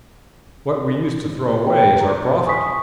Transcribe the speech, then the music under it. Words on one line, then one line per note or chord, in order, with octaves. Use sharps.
What we used to throw away is our profit.
C#5 G5
A#5
G4
G#5 C#6 D#6 B6